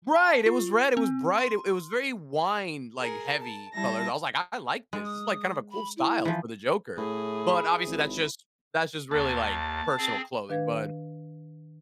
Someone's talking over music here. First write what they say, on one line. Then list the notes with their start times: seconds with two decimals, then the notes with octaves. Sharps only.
Right. It was red. It was bright. It it was very wine, like, heavy colors. I was like, "I like this. This is kind of a cool style for the Joker." But, obviously, that's just that's just really, like, personal clothing. But
0.16 A5
0.46 F4
0.97 C4
1.38 C6
2.98 G#4 A#4
3.40 A5
3.73 G3 E4 A5 A#6
4.93 G#3
5.04 D#6
5.71 B5
5.97 E4
6.25 E3 F3
6.98 A2 E4 G#4
7.49 B5
7.87 G#1
9.11 D#2 A5
9.98 C4 G#4
10.49 D#3 D4 B4 F5 G#6